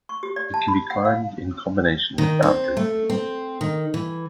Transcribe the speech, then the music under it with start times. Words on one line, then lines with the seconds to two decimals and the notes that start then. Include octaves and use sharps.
It can be climbed in combination with Boundary Peak.
0.09 C#6
0.23 G4
0.36 D5
0.54 A5
0.68 B5
0.90 F#5
1.05 F5
2.18 D#3
2.42 C4
2.77 A3
3.10 C4
3.61 D#3
3.94 E3